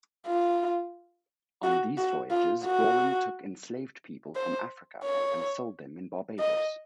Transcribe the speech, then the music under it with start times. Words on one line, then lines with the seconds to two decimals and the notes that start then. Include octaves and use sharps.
On these voyages Doran took enslaved people from Africa and sold them in Barbados.
0.26 F4
1.63 F#4
1.98 F#4
2.31 F4
2.65 F#4
4.35 C5
5.04 C#5
6.40 D#5